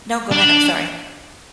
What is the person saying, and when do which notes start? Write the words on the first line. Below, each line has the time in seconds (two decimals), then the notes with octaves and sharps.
No, go ahead, I'm sorry.
0.32 D4